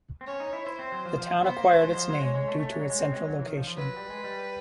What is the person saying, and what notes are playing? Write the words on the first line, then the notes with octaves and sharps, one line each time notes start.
The town acquired its name due to its central location.
C4
C#4 C#5
D#4
E4
E4 C5
C4
F#3
F3
F3
F3
B3 C5
A#3
A3
G#3
F#3
F3
F#3
G#3 C#5
G#3
A3
A3 C#5
G#3
F#3
G#3
C4
G#3
F#3
E3
D#3
F3
F3
F#3 B4
G3
G#3
G3